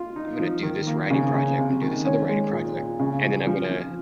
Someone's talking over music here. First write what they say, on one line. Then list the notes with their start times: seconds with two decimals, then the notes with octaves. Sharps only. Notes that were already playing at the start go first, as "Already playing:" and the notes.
I'm gonna do this writing project, I'm gonna do this other writing project, and then I'm gonna
Already playing: F4
0.16 D#4
0.40 F3
0.63 D#3
0.87 A#3
1.10 C#3
1.34 C#3
1.58 C3
1.82 D#3
2.05 C#4
2.29 G#3
2.52 A#2
2.76 A#2
2.99 C#3
3.23 F3
3.47 F3
3.71 F3